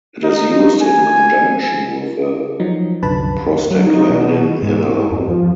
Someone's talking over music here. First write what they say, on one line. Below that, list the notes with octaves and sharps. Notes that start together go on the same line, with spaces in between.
It is used in conjunction with a prostaglandin analogue.
D#4
G#5
F3 F#3 D#4
C2 F#2 D3 B4 A5 B5
F#3
D#4
B2
G#2
F2
F3